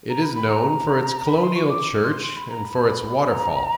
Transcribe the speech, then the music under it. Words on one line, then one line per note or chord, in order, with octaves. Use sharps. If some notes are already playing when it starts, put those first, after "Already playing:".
It is known for its colonial church and for its waterfall.
A#5
B5
B5
A#5
B5
C6
C#6
D6
C6
C6
B5
A#5
B5
A#5